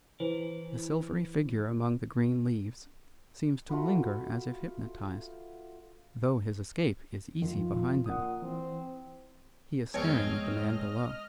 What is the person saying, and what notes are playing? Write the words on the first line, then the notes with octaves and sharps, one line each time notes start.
The silvery figure among the green leaves seems to linger as if hypnotised, though his escape is easy behind him; he is staring at the man below.
E3 E4 B4 C5
A3 F4 F#4 B4
F2 D#3 F3 F4
A#2 F#5 D#6
E3 C4
F2 G#3 B3 C4 C#5 D#5 A5 F6